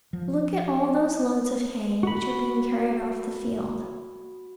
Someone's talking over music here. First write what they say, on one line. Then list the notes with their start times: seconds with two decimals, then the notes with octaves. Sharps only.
Look at all those loads of hay, which are being carried off the field.
0.13 F3
2.03 F#4 B5